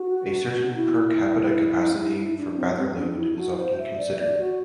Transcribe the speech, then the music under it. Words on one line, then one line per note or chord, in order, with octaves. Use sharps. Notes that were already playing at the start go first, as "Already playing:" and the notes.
A certain per capita capacity for bather load is often considered.
Already playing: F#4
E4
D4
C4
C4
C4
D4
D4
E4
F#4
C5
E5
D5
E5
D5
F#4